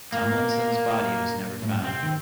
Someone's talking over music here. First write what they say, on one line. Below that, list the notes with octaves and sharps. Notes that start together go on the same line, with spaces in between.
Tumlinson's body was never found.
A#2 A#3
A2
A#2
A2
A#2
C3 C4
D#3